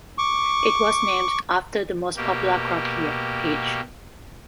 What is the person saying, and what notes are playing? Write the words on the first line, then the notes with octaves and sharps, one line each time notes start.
It was named after the most popular crop here, peach.
C#6 D6
B2 A#3 G4